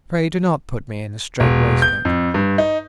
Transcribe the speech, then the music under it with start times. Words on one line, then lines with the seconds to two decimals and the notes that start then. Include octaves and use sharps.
Pray do not put me in a strait-waistcoat.
1.40 E1
1.82 G6
2.05 F2
2.34 G2
2.58 D#4